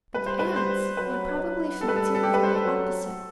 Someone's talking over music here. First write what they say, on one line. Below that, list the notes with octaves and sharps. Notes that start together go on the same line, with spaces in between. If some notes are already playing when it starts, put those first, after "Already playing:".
But the ants would probably fancy the very opposite.
G3 B4
C5
B4
C5
F#3 B4
G3 A4
B4
A4
A4
G4
B4
C5
A4
F#3